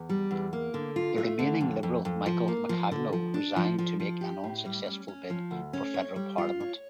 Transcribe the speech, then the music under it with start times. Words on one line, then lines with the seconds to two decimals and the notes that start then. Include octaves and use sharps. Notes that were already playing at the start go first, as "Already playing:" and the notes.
The remaining Liberal, Michael Maccagno, resigned to make an unsuccessful bid for federal parliament.
Already playing: E2
0.09 G3
0.31 E2
0.53 A#3
0.74 D3
0.96 F4
1.18 A3
1.39 D3
1.61 F2
1.83 F2
2.05 F2
2.26 F3
2.48 A#3
2.69 F3
2.91 D3
3.13 F3
3.34 D4
3.56 F3
3.78 F3
4.00 F3
4.21 G4
4.44 A2
4.65 G3
4.86 C#4
5.08 C#4
5.30 F3
5.51 D2
5.73 C#4
5.94 C#5
6.16 G3
6.38 F4
6.60 C#5